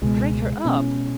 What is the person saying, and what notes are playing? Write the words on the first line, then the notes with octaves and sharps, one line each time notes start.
"Rang her up?"
C#2 B2 G#3 B3
B2 B3 C#4